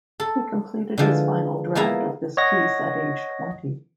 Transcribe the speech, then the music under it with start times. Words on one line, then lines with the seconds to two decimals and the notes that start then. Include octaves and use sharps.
He completed his final draft of this piece at age twenty.
0.20 A4
0.98 D3 E3 F3 G#3
1.75 F3 G#3 A#3 B3 E4 A#5
2.37 C#5 D#5 F#5 A#6